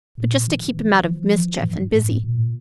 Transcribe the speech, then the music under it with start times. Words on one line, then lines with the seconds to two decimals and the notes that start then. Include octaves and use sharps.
But just to keep him out of mischief, and busy.
0.18 A#2
0.48 E3
0.77 E3
1.00 E3
1.07 F3
1.36 E3
1.60 A2
1.65 G2
1.94 A2
2.24 A#2